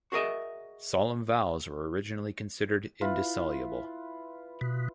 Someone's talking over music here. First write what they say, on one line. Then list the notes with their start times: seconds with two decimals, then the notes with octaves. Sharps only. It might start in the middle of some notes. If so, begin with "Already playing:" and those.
Solemn vows were originally considered indissoluble.
0.12 F#4 G#4 A#4 D#5 E5
3.01 E4 F4 B4
4.61 B2